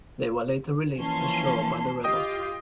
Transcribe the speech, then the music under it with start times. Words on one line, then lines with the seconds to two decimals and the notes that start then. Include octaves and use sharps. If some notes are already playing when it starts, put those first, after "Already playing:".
They were later released ashore by the rebels.
0.99 E3 F3 A#3 C#4 A5 C6
2.04 F4 G4 D#5 G5 D#6